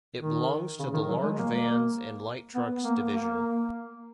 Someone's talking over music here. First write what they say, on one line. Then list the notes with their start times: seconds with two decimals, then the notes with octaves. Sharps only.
It belongs to the large vans and light trucks division.
0.21 D#3
0.79 C#3
0.94 D#3
1.08 F#3
1.23 G#3
1.37 A#3
2.55 B3
2.84 A#3
3.14 A#3